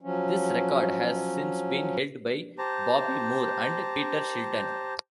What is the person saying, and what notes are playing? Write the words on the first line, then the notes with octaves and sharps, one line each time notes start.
This record has since been held by Bobby Moore and Peter Shilton.
F3 F#3 C#4
G4 C5 A5 A#5